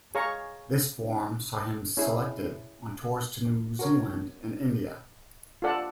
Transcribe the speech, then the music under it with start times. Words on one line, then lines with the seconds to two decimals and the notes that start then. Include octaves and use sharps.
This form saw him selected on tours to New Zealand and India.
0.15 G#4 C#5 F5 A#5 C#6
1.97 C#4 E4 G#4
3.79 F#4 A#4 C#5
5.62 F4 A4 D5 F#5 A5